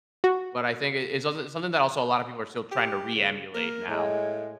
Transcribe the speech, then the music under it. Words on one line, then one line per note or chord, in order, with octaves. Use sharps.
But I think i it's some something that also a lot of people are still trying to re-emulate now.
F#4
G4
C#3
A#3 A#4
A2 G#3